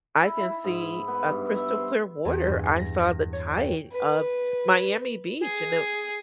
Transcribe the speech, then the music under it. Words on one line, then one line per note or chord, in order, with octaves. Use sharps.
I can see a crystal clear water. I saw the tide of Miami Beach and the
E4
E4
G#2
B3
G2
E5
C5
E2
G2
A#6
C#5
G5
B4
G#4